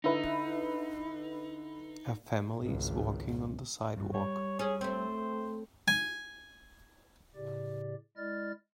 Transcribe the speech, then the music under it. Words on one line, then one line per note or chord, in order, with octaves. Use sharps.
A family is walking on the sidewalk.
D3 D#4 E4 B4
G#1 C#2
G2
G3 C#5
C#4 G#4
A3 C4 C5
G#5
A2 C#3 G4 D5
G#3 E4 D5 D#5 F6 A6